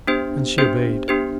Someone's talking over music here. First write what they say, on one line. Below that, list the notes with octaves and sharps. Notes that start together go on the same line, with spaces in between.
And she obeyed.
B3 D4 G4 C5
B3 D4 G4 C5
B3 D4 G4 C5